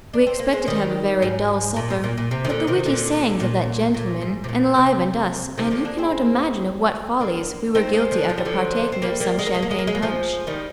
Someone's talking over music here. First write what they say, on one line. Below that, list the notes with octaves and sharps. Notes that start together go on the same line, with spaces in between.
We expected to have a very dull supper, but the witty sayings of that gentleman enlivened us and you cannot imagine of what follies we were guilty after partaking of some champagne punch.
D4
C4
A#3
G#3 C4
D#3 G3
G#2
A#2
G#2
A#2
A#2
C3
D#3
A#2 D3
C3 D#3
A#2 D3
A#2
A#2
G#2
C3
A#2
C3
C3 D#3
D3 F3
A#3 D4
G#3 C4
A#3 D4
C4 D#4
G#3 C4
D3 F3
F3
G3
D3 F3
C4
G3 A#3
G3 A#3
G#3
A#3
G#3
A#3
G#3
A#3
G#3
A#3
F3 G#3
D#3 G3